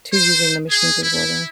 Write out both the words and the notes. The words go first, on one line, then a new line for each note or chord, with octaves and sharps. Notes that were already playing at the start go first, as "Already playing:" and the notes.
to using the machines as well, though.
C5
G#4
E4